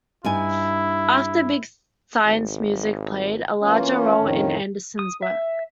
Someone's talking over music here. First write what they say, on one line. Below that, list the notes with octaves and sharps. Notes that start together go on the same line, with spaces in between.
After "Big Science" music played a larger role in Anderson's work.
G2 D#4 E4 G#5
G#1
E3 A#3 C#4 F4
F2 A2 D#3
D#6
E5